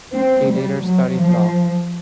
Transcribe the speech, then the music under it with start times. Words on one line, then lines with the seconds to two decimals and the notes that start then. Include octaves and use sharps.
He later studied Law.
0.13 C4
0.47 G3
0.81 F#3
1.16 F3